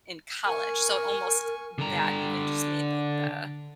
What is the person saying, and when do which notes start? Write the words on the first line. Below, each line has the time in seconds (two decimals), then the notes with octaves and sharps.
in college, so almost that even just made like the
0.45 A#4 G#5 C#6
1.79 D3 A#5